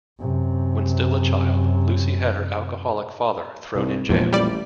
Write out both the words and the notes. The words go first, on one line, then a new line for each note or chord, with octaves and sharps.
When still a child, Lucy had her alcoholic father thrown in jail.
F#2 C3
C2 C3
E1 E2 A#2 F3 G#3
A1 G3 D5